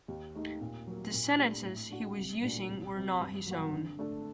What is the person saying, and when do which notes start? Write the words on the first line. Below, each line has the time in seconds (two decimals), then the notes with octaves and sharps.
The sentences he was using were not his own.
0.08 D#2
0.35 D#3 A3 D#4 G4
0.61 A#2
0.87 F#3 A#3
1.13 A#2
1.38 A3 D4 G4
1.65 A2
1.90 A3 D4 F#4
2.17 C2
2.42 A#2 A3 D4 F#4
2.69 C2
2.95 C3 F#3
3.20 G2
3.46 F#3 A#3 F#4
3.72 D3
3.99 A3 D4 A4